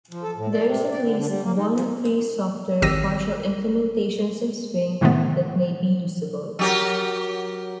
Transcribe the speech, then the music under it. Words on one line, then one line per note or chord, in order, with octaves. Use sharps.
There is at least one free-software partial implementations of Swing that may be usable.
F3
A4
A2
D5
C3
D5
D3
D3
G3
A#3
D#4
F3
G#1 D#3 G4 E6 A#6 D#7
A2 C3 D#3 G#3 A3 B3
F#3 G4 A#4